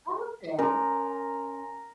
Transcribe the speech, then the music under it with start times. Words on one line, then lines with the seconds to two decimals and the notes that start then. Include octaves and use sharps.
Oh, okay.
0.59 C#4 A#4 G#5 C6